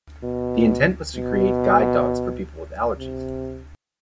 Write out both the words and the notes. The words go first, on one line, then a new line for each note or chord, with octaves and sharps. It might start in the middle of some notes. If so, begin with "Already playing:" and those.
The intent was to create guide dogs for people with allergies.
B2
B2
C3